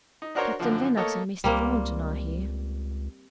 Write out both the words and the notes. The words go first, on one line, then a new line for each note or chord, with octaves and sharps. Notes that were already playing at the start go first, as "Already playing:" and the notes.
Captain Lennox and Mr. Thornton are here.
D#4
D4 F#4 A#4 C5 C#5
F#2 D3 F3
A3 A#3 A4 C#5 D#5
C#2 G3 A#3 C4